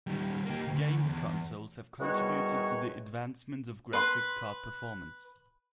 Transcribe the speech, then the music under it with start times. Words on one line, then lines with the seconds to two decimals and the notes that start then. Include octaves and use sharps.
Games consoles have contributed to the advancement of graphics card performance.
0.07 D#3 G3
0.46 A#3 G4
0.67 D2
1.06 E2
2.01 E2 D#3 G3 F#4 C#5
3.93 B4 C6